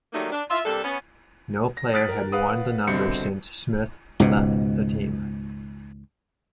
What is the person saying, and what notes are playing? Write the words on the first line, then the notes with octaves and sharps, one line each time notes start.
No player had worn the number since Smith left the team.
D#3 F#3 G3 A3 A#3 D#4
D4
F4 E5
C3 G3 A#3 D4 A4
B3 C#4
A#6
D#6 F6 F#6 A6 B6 D7
A#4
B4 F5 F#5 D#6
C2 B2 D3 C4 C#7
C#2 G#2 B2